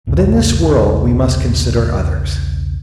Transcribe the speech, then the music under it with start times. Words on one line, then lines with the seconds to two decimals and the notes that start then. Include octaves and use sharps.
But, in this world, we must consider others.
0.07 B1 E2 G#2 C#3